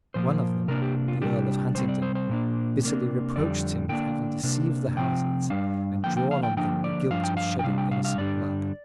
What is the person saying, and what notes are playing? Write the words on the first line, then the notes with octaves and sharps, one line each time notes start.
One of them, the Earl of Huntingdon, bitterly reproached him with having deceived the Houses and drawn on them the guilt of shedding innocent blood.
A#2 F3 A#3 C5
C3 A#3 D4 A#4
G4
F4
C3 G3 D4 G4
C3 G3 C4 C5
D5
C5
C5
A#2 A#3 D4
C3 A#3 D4
F2 D3 G3 D5
D3 A#3 D4 G5
C3 A#3 D4
C3 F3 C4 G5
G2 G3 D4 F5
D3 F3 A#3 G5
G5
F5
G5
D3 F3 A#3 D4 G5
D5
G2 F3 D4 F5
G5
F5
G5
C3 G3 D4 F5
G5
F5
F5
G2 D3 G3 D4 D5